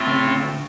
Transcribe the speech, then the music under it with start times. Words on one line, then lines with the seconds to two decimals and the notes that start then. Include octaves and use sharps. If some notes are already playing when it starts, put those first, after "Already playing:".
I know.
Already playing: A2 A3 C4 F4